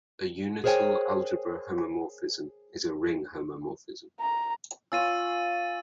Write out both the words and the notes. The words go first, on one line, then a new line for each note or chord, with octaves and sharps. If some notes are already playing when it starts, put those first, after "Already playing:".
A unital algebra homomorphism is a ring homomorphism.
G#4 A#4 C5 C#5 G5 G#5
A#5
C#4 F4 E6 A6 D#7